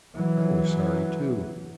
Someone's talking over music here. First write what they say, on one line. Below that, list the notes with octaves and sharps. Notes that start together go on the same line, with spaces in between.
I was sorry, too.
E3 F#3